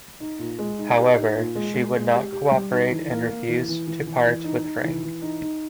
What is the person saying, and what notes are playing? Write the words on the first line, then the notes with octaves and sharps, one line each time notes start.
However, she would not cooperate and refused to part with Frank.
D#4
A#2
G#3
D#4
G4
D#4
A#2
G#3
G#3
G#3
G4
G4
G3
D#4
E3
A#3
A#3
E3
E3
E3
E3
E3
D#4
D#4
E3
E3
D#4
D#4